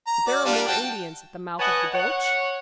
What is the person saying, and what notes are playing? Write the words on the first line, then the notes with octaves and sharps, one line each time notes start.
"But there are more Indians at the mouth of the gulch?"
A#5
F#4 D5
G3 D4 F4
F#4 G5 A5
B4 C#5 D#5 F#5 G#5 A5
C#5 F#5